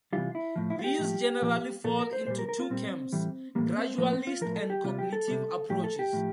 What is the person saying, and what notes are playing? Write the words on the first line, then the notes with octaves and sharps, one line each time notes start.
These generally fall into two camps: gradualist and cognitive approaches.
C3 E3 G3 F4
E4
A2 F3
E4
F4
G4
A2 F3
A#2 F3
A#2 F3 A4
A#4
C5
A#2 G3 C5
A#4
A#4
F4
A#2 G3 C4
A2 E3 G3
A2 E3 G3 A#3
C4
A2 F3 A#3
C4
F4
A2 F3 A#4
A4
G4
C3 G3 F4
G4
A4
C3 G3
A2 F3 G4
A4
G4
A2 F3